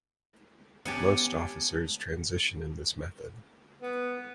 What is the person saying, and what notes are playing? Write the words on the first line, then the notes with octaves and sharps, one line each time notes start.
Most officers transition in this method.
B3 C#4 G4 F#5 G#5 A5
B3